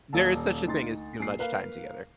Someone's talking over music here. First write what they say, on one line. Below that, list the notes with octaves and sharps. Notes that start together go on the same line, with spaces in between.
There is such a thing as too much time together.
D#1 F5 A5
D2 D#4 C6 A6
A#1 C7
A#3 B4 F5